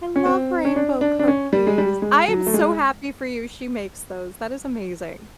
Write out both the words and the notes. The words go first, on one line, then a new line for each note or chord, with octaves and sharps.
I love rainbow cookies. I am so happy for you she makes those; that is amazing.
C#4
C4
C#4
D4
D4
D4
C#4
G3
G#3
G3
G#3
F#3
A3
G#3